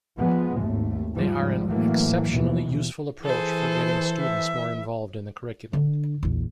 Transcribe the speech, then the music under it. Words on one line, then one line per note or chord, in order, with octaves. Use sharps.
They are an exceptionally useful approach for getting students more involved in the curriculum.
F3 G#3 B3
G#1 D#2 A3
G#2 F3 G3 G#3
A2 E3 F#3 A3 A#3
D#2 B2 E3
E3 G#4 A4 C5
E5
D3 D4
A#1 E2